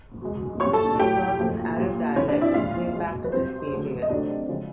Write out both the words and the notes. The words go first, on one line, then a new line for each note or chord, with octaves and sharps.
Most of his works in Arab dialect date back to this period.
B2 G#3
A#2 G3 C#5 C#6
A4 A5
A2 F#3 A3 G4 G5
A#2 F3 A3
A#2 G3
C3 E3 G3 C#4 C#5
D4 D5
E4 E5
A#2 F3 G#3 F4 F5
B2 G#3
B4
B2 G3 C4 C5
D3 F#3 A3
D#5
C3 D#3 F#3 A3 D4 D5
C#3 F3 G#3